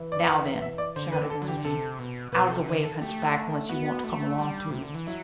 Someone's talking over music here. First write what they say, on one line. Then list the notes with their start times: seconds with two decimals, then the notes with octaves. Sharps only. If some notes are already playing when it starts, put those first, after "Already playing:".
"Now then," shouted Merlin, "out of the way, hunchback, unless you want to come along too."
Already playing: E3
0.12 D5
0.20 E5
0.27 F#5
0.45 E5
0.62 E5
0.78 D5
0.96 D3 C5
1.13 B4
1.30 A4
1.42 F#3
1.48 E3 G4
1.57 D3
1.65 C3 A4
1.99 B2
2.32 B2 B4
2.50 C3 A4
2.67 D3 B4
2.84 A4
3.01 A3 G4
3.69 B3 F#4
4.04 A3
4.38 G3
4.70 C3
4.83 D3
4.95 E3
5.07 F#3 E4